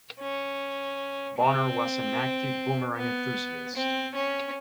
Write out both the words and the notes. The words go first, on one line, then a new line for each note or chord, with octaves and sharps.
Bonner was an active boomerang enthusiast.
C#4
C4
B3
C4
C#4